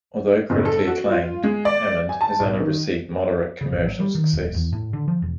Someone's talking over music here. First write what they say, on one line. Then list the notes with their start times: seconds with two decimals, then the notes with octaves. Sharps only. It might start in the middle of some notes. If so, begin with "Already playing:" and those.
Although critically acclaimed, Hammond has received only moderate commercial success.
0.50 F#1
0.65 A4
0.87 F#4
1.11 F4
1.44 G#3
1.65 D5
2.09 G#5
2.21 A5
2.40 B1
2.60 D#3
3.61 C#3
3.72 A1
3.87 F#3
4.00 G3
4.15 D#3
4.33 D#1
4.54 E2
4.72 A2
4.93 D3
5.08 F3
5.22 E1